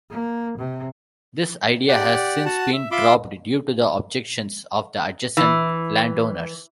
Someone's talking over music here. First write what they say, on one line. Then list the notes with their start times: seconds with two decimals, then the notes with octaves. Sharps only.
This idea has since been dropped due to the objections of the adjacent landowners.
0.10 A#3
0.58 C3
1.89 G4 D5 F#5
2.46 F#4 F#5 A5
2.73 E5
2.91 F4 E5 B5 C6 D6
5.37 E3